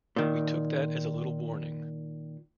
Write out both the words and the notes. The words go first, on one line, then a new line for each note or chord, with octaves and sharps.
We took that as a little warning.
A#2 D#3